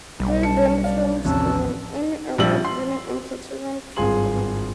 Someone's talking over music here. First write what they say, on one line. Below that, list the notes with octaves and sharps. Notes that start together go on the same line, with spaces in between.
Pyburn Films is an Emmy Award winning entertainment company.
B1 G3
A5 C#7
D5 F5
A1 D#2 C3 F3 C#4 A5 E6 F#6
A#1 F3 G3 E6 F#7
C6
G#1 G2 F4 G#4 C6 F#7